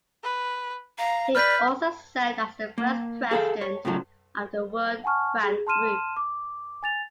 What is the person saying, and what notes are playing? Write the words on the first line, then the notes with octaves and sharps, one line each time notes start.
He also served as the first President of the World Bank Group.
B4
F5 A#5
B4 D5 F6 G6 B6
A#3
G#4 A4 F5
C#5
A2 C#3 F3 F#3
F#5 G#5 A5 C#6 F6
G#4
A5 C6 F6 D#7 E7
D6
G#5 A6 F7